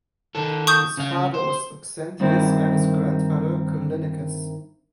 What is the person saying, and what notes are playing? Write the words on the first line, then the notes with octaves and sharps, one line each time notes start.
His father was Auxentius and his grandfather Callinicus.
D#3 A4
C#6 D#6 G6
C#3 F5
C5
G2 D#3 C4 E4